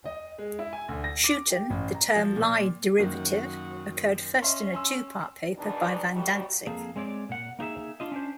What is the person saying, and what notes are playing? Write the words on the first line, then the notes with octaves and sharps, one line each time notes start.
Schouten, the term "Lie derivative" occurred first in a two-part paper by van Dantzig.
D#5
G#3
E4
G#5
D2
A#6
D6
G4
A1
A#5
F3
A#2
F#2 D#3 A#3 F#4
C#4 D#5 E5 C6
G#5 C6 E6
E2 B2 D#3 D4
D#2 G3 F#4
F2 A#3 G#4 A4
G#3 C4 C#5 D5
A#2 F#5
A#3 D#4 G#4 E5
D4 F4 D#5
C#4 D4 C5